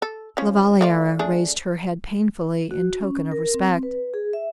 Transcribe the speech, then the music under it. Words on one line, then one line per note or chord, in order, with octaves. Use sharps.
La Valliere raised her head painfully in token of respect.
A4
F3 C#4
A3 F4 D5
A3 D4 G#4
F#4
C#4
A#4
C4
B4
G#4
E5